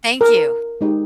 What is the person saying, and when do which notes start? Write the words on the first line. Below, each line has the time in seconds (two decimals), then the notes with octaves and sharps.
thank you.
0.21 A#4
0.81 G#3 D#4 G4